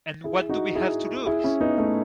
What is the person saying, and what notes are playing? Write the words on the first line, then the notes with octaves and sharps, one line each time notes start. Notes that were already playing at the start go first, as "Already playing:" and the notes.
And what do we have to lose?
E4 G#4
D#4 F#4
E4 G#4
E4 G#4
C#4 E4
B3 D#4
A3 C#4